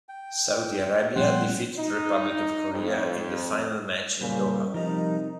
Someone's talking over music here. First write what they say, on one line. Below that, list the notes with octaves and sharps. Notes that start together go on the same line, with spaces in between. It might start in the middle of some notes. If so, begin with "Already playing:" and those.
Saudi Arabia defeated Republic of Korea in the final match in Doha.
G5
A#2 F3 G3 B3 C#4 F#5 G5 C6
D#4
F2
A#2 C#3 G3 B4 C5
C3 F3 G3 D#4 A#4